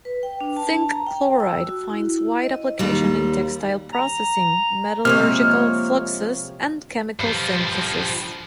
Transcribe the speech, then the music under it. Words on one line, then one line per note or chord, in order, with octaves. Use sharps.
Zinc chloride finds wide application in textile processing, metallurgical fluxes, and chemical synthesis.
B4
G5
D4
A5
A#5
G5
E6
F#4
E4
D#5
D#2 G3
A#5
C3 F3 G#3 A#3 C#5 D#5 F6
G2 F3